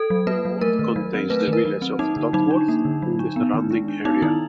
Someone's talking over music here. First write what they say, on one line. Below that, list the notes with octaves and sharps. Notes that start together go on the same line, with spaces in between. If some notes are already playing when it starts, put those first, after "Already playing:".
The ward contains the village of Dodworth and the surrounding area.
Already playing: A4
F#3
A#3 B4
F#3
A3 A#4
D#3
F#3
C4
A3 B4
D#3
A#4
F#3
C4
A#3 D#4
D3
F#3 D#4
D4
A#3
D3
F#3
D4
B3
D#3
G#3
D4
B3 D#4
D#3 E4